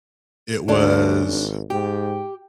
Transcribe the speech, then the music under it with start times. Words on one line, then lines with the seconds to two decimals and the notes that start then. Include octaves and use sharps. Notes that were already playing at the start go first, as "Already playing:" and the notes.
It was
0.68 D2 C#4 D4
1.27 G#1
1.70 G#2 G4